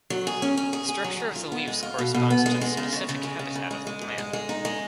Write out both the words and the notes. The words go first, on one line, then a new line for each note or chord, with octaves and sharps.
The structure of the leaves corresponds to the specific habitat of the plant.
F#3
G#4
C#4
C#4
G#4
G#4
F#3
D#3
F4
B3
G#3
F4
B2
B2
B3
G#3
G#3
C#3
C#3
C#3
G#3
C#3
C#3
G#3
G#3
G#2
G#3
G#3
D#4
G#3